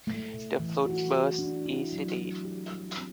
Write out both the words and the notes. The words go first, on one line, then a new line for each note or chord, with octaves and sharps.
The fruit bursts easily.
A3
C3
E3
F#4
A3
D4
E4
F#3
A3
G4
G3
C4